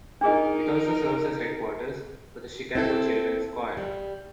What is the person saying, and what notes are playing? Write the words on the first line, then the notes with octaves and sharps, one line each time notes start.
It also serves as headquarters for the Chicago Children's Choir.
D4 D#4 G#4 A#4 D#5
C4 E4 A4
G3